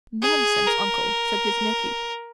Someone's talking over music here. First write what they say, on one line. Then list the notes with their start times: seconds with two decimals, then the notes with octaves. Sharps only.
"Nonsense, uncle!" said his nephew.
0.22 G#4
0.67 A#4